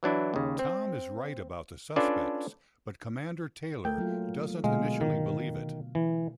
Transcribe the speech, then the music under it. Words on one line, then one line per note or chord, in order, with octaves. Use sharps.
Tom is right about the suspects, but Commander Taylor doesn't initially believe it.
E3 F#3 D4 E4
D#2 C#3
C4
C#4 D4 F4 A4 B4 D5
A3 A#4 G5
F#3 A#3 F4
B2 D3 G#3 F5
D#3
E3